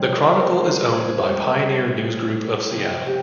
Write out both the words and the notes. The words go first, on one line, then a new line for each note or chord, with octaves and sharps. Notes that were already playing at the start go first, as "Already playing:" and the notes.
The "Chronicle" is owned by Pioneer News Group of Seattle.
Already playing: F2 C#3 G3 C4 G#4
A#4
C5
A#4
C5
C5
A#4
G#4
G#2 G3 C#4 G4
G#4
C3 F3 C4 G#4
G4